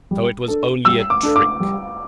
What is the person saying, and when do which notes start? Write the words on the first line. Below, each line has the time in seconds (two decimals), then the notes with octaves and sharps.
So it was only a trick!
0.11 G3
0.48 D4 A4
0.85 G3 E6
1.10 D6
1.23 D4 A4
1.36 D6
1.60 G3